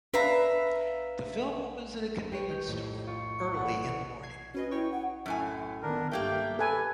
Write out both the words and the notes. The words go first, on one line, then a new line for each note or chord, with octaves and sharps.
The film opens at a convenience store early in the morning.
D4 B4 E5 F5 A#5
G4 B4 C#5
D#3 G6
F2 A2
F4 C#6
E2 A4 F#5
G#6 C7
C#4 F#4 B4 D#5
E4 C#5 G5 C#6
F#5
F#2 A2 G#5
D#3 B3 D4 A#4
G2 A3 A#3 G4 G5
A4 B4 G#5